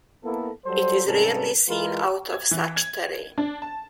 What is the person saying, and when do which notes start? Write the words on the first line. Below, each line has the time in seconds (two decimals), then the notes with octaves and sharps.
It is rarely seen out of such terrain.
0.24 A#3 B3 E4 A4
0.65 F#3 G3 A4 C5
1.06 G#2 C3 G3 C#4 A4 A#4
1.68 E3 G#3 F4 G#4 A#4 B4
2.32 G#6
2.51 E3
2.76 G#6
3.38 D4
3.62 A5